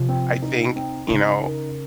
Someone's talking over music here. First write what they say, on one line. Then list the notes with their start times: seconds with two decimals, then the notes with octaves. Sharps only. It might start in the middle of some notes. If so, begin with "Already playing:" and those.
I think, you know,
Already playing: C3 F3
0.09 C4
0.42 D#4
0.76 C4
1.10 C#3 D#4
1.44 A#4